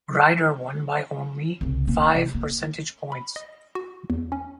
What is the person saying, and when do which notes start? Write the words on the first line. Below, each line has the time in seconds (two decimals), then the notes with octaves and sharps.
Grider won by only five percentage points.
1.61 C2 C#3
1.88 A#3 C#4
2.15 C3
2.35 A#3
3.12 B5
3.36 D#5
3.75 F#4
4.10 E2
4.32 C#4